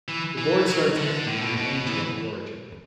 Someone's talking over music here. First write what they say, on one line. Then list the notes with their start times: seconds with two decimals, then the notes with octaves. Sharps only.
The board starts empty with the angel at the origin.
0.08 E3
0.38 E3
0.68 F#3
0.97 D3
1.27 A2
1.42 B2
1.57 B2
1.87 E3